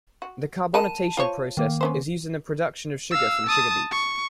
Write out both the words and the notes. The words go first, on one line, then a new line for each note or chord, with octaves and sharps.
The carbonatation process is used in the production of sugar from sugar beets.
F#4
A#4 F#5 A5 B5 D#7
F4 C5 C#5
D#3 A#3
B3 C#4 C5
F5 E6
A5 D#6
C#6